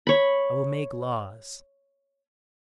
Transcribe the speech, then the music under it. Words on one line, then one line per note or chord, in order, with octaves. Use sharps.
I will make laws.
C#5 B5